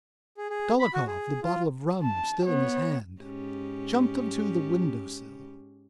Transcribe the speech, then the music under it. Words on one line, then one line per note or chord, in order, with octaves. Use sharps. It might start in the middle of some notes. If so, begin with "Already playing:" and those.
Dolokhov, the bottle of rum still in his hand, jumped onto the window sill.
G#4
G#4
B5
F#4
G#4
F4
A5
B3 C#5
G#2 C#4 G4